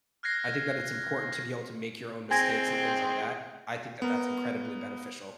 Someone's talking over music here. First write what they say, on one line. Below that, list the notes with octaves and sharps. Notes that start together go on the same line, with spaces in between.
I think that it's important to be able to make your own mistakes and things like that, I think that that's incredibly beneficial.
F6 F#6 G#6 A#6 C7
A2 D#3 C4 G#4 G5 G#5 G#6 A#6
B3 A#4